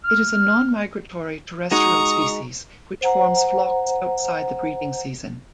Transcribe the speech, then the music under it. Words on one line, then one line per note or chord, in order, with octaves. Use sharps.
It is a non-migratory terrestrial species, which forms flocks outside the breeding season.
F6
G#3 D#4 F#4 A#5 C#6 D#6
C5 F#5 A#5